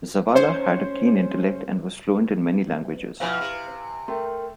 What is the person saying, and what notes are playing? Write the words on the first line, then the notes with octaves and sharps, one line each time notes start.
Zavala had a keen intellect and was fluent in many languages.
C#4 C5
B2 F3 E4 B4 F5 G#5
C3
A3 A#4 G5 C6